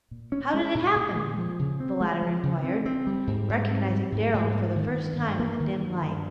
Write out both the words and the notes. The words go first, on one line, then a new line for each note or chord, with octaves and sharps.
"How did it happen?" the latter inquired, recognizing Darrell for the first time in the dim light.
A#2
C#4
G#3
A#2
A#2
G#3
F3
C#3
C4
G#3
F3
C#3
C4
C4
G3
G#2
G#2
C4
G3
G#2
G#2
A#3
D#3
G2
G2
A#3
D#3
G2
G2